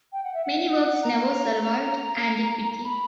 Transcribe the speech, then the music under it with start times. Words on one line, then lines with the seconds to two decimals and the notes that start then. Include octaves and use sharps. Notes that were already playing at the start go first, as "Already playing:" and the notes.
Many works never survived antiquity.
0.13 G5
0.24 F#5
0.34 E5
0.45 F#5
1.03 A#5
2.75 A#5
2.84 B5